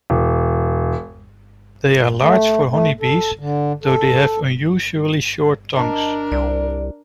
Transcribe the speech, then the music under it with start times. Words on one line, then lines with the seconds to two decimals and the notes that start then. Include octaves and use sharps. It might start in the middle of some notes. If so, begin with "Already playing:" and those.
They are large for honey bees though they have unusually short tongues.
0.10 E1
2.20 A3
2.69 A3
3.01 A4
3.39 D3
3.83 A4
5.75 D4 A#4 D#5 A5
6.32 C2 D5